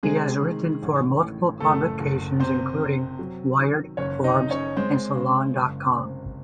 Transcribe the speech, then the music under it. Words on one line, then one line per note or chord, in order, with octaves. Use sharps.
He has written for multiple publications including "Wired", "Forbes", and Salon dot com.
C3 G#3 G#4
D#3
A1
A2
F#1 A3 A4
F#1
C3 C4 C5
C3
F#3
D#3
F#1 C#4 C#5
D#4 D#5
F#1
C#4 C#5
G#3 C4 C5
C#3
F#1
C3